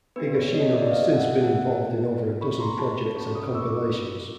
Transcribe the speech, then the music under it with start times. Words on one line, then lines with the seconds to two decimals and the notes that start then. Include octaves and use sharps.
Higashino has since been involved in over a dozen projects and compilations.
0.16 B3 D4 G4 B4
0.35 B4 C#5
0.54 C#5 D#5
0.72 D5 E5
0.91 D#5 F5
1.17 E5 F#5
1.42 E5 F#5
2.41 B5 C#6
2.60 A#5 C6
2.79 A5 B5
3.16 C#4 F#4 A4 B5 C#6
3.35 C#6 D#6
3.54 D6 E6